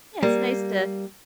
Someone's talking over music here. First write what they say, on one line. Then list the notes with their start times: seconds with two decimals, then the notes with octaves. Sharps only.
Yeah, it's nice to
0.23 G3 A#3